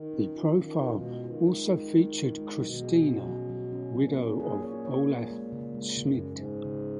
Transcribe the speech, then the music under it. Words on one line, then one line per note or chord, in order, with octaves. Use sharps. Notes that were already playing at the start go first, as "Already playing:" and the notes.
The profile also featured Christina, widow of Olaf Schmid.
Already playing: D#3
C#4
F4
D#3 C#4
F4
C#3
B2
G#3
D#3 F4
G#3
G#3
G#3
F4
G#3
B2 F#3
G#4
C#4
F#3
F#3
C#4
A#2 F#3
C#4
G#4
C#5
C#5
G#4
G#3
C#3
G#3
F#2 C#3
C#4
G#2
C#3
C#3